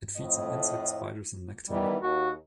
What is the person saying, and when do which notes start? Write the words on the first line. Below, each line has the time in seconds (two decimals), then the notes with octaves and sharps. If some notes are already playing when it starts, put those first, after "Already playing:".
It feeds on insects, spiders and nectar.
0.17 F2 A2 D#5
1.70 D#3 E3 G3 B3
2.02 D#2 F#4